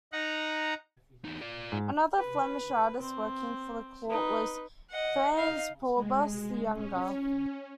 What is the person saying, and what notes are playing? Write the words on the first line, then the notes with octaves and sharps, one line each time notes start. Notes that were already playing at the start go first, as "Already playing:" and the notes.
Another Flemish artist working for the court was Frans Pourbus the younger.
D#4 F#5 A#5
E2 D#4
F4 D5
G#2
B4
C4
D#4 B4
D#5 F#5
D#4 F5
G#3
C#4